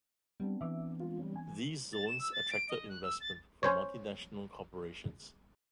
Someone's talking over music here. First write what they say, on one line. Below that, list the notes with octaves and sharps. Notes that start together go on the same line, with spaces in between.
These zones attracted investment from multinational corporations.
G3 B3 C4 D4
E3 E5 D6
G#3 F4
G3 C#4
G#5
A6
E7
E6
A6
D7
D#5
F#6
E6
A6
C#4 C5 C#5